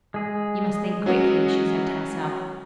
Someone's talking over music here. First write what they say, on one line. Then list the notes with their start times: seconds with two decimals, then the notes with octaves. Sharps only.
"You must think quickly," she said to herself.
0.14 G#3 G#4
1.06 F#3 C#4 F#4